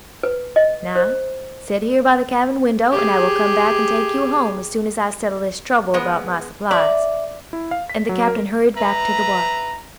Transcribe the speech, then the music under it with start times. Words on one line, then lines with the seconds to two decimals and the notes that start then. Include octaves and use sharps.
"Now, sit here by the cabin window, and I will come back and take you home as soon as I settle this trouble about my supplies," and the Captain hurried back to the wharf.
0.23 B4
0.56 D#5
0.95 C5
2.91 G4 G#4
5.94 G#3 B3
6.71 D5 E5
7.53 E4
7.71 F5
7.90 B6
8.09 F#3
8.28 A#4
8.75 B4 E5 A#5